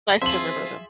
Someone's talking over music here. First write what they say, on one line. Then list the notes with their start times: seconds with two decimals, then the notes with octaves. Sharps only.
nice to remember them.
0.22 F3 C4 F4 G#4 E5 C6 F#7